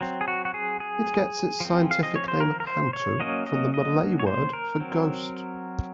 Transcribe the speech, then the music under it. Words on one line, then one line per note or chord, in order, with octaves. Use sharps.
It gets its scientific name "hantu" from the Malay word for ghost.
F#3 C4
G#4
F#4
F#4
G#4
G#4
F3 C4
F5
D#5
C#5
C5
A#4
A#4
C5
C#5
F#3 A#3 C#4 D#5
D#5
D#5
C#5
C5
A#4
F#3 C4